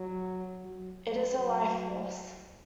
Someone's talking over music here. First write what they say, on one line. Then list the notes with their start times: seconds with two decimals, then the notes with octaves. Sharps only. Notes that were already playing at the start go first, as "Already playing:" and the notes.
It is a life force.
Already playing: F#3
0.64 F#3
1.37 F#3